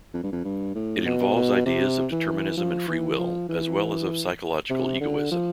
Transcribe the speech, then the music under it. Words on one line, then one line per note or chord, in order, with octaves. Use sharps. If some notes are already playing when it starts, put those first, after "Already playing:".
It involves ideas of determinism and free will, as well as of psychological egoism.
F2
G2
F2
G2
A2
B2
B2
C3
E3
F3
E3
F3
E3
C3
D3
F3